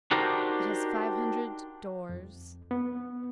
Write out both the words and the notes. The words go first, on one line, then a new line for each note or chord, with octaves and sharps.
It has five hundred doors.
D4 D#4 F#4 G4 A#4 C5
F2
B3